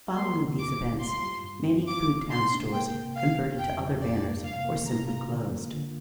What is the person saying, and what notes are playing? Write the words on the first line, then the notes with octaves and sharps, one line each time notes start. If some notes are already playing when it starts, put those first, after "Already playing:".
Following these events, many Foodtown stores converted to other banners or simply closed.
A#3 C6
D3
D2 D6
G3
F4 C6
G3
G2
C4
F4 D6
A#3
C3 C6
D4
A#3 G5
C3
C2 F5
G3
F2 G5
F3
F2 D5
A#3
C3 F5
A#3
C3 A#5
F4
D3
A#3
D3